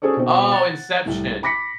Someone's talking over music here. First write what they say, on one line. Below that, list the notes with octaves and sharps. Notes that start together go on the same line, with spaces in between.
Oh, Inception.
C#4 F#4 G#4 A4 C5 D5
B2 C4
F#5 A6
C2 A2
B5 D6 A#6 B6 C#7